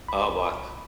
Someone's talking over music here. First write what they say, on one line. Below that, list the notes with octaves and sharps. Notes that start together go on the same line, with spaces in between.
Oh, what
C2 B5